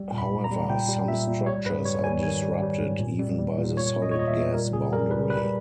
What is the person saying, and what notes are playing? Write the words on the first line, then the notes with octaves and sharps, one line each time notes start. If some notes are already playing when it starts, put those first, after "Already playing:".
However, some structures are disrupted even by the solid-gas boundary.
Already playing: G3
A#2
B5
A#2
A#5
G3
A#2 G5
G3
A#2 E5
A#2
G3 C#5
G#2 B4
G3 C#5
G3 G#5
D#3 G#5
G3
G3
G#2
A#2
G3
G3
A#2
A#2 C#5
A#2
D#5
C#5
A#2 D#5
E5
A#2
G3 A#4
A#2 G#4
G3 A#4
G3 B4
G3 B4